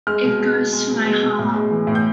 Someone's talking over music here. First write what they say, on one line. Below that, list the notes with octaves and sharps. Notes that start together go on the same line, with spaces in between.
It goes to my heart.
G#3 F6
B2
G#3
B2
G#3
B2
G#3
B2
A2
G#3
E3
A2
G6